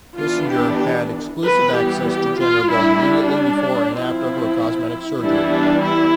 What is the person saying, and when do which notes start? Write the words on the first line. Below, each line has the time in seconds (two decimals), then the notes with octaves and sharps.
Bissinger had exclusive access to Jenner both immediately before and after her cosmetic surgery.
0.18 E3 B3 D4 F4
0.50 G4
1.43 E3 G3 B3 B4
1.74 G4
2.06 G4
2.38 F4
2.69 G3 D4 E4
3.00 D4
3.95 F3 C4 E4
5.20 E3 G3 B3 D4 E4
5.53 D4
5.83 E4